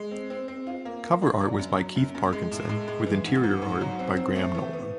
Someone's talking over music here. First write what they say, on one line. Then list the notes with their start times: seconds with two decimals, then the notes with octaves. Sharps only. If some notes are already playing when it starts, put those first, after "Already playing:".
Cover art was by Keith Parkinson, with interior art by Graham Nolan.
Already playing: G#3
0.11 C4
0.30 C4
0.48 C4
0.67 F4
0.85 A#3
1.04 A#3
1.22 D4
1.41 F#3
1.59 F#2
1.77 F#3
1.96 F#2
2.15 F#2
2.33 G#3
2.51 A2
2.69 G#3
2.88 G#3
3.07 E3
3.25 G#2
3.43 G#2
3.62 G#2
3.81 F#3
3.99 C4
4.17 C4
4.36 A3
4.55 E3
4.73 B3